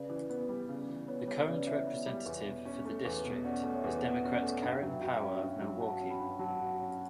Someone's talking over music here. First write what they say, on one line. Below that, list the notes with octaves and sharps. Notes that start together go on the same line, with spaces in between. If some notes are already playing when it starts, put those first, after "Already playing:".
The current representative for the district is Democrat Karin Power of Milwaukie.
Already playing: C#3 B4 D5
E3
B3
G3
C#3
E3
B3 C#5
G3 C#5
C#3 B4 D5
E3 C#5 E5
B3
G3
E2
B2
C#4
A3
E2
B2
C#4 D5 F#5
A3
C#5 E5
E2
B2 D5 F#5
C#4
D5 F#5
A3
G2 E5 G5
F#3
E5 G5
F#4
C#4 E5 G5
G2
F#3
F#4 F#5 A5
C#4
G5 B5
G2
F#3 F#5 A5
F#4
C#4